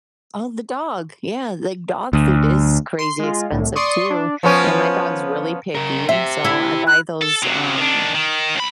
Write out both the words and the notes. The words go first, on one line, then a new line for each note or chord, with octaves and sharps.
Oh, the dog. Yeah. Like, dog food is crazy expensive too. And my dog's really picky, so I buy those, um,
D2
C6
G#3 F4
C2 A2
D5 C6 C#6 D#6
D4
F3 B3 C#4
C#3 A#4
G4 C5 E5
E4
F#6
A4
C3 F#3
D#3 D4
D#3
C#2 B5